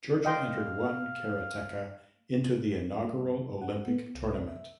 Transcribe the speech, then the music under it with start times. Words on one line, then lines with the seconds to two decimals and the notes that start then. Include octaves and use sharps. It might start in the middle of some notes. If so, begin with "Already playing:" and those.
Georgia entered one karateka into the inaugural Olympic tournament.
0.25 D#5 F5 G5 C6
3.02 G2
3.61 F#5
3.88 B3
4.15 C2
4.48 E5